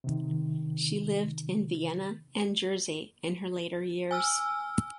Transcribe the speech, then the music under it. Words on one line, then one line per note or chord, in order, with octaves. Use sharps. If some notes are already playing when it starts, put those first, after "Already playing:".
She lived in Vienna and Jersey in her later years.
C3 D#3
G#5 E6 F6